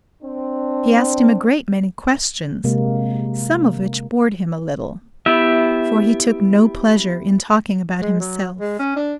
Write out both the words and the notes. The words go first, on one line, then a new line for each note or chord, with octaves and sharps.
She asked him a great many questions, some of which bored him a little; for he took no pleasure in talking about himself.
C4 D4
C3 G#3 A#3
B3 E4 G4 E5
G#3
F#3
G#3
C#4
D4